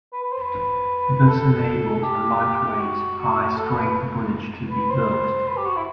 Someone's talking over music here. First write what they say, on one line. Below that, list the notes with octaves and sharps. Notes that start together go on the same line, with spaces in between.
This enables a lightweight, high strength bridge to be built.
B4
B4
C5
B4
A4
G4
F#4
F#4
A4
B4
B4
C5
B4
G4
F#4
E4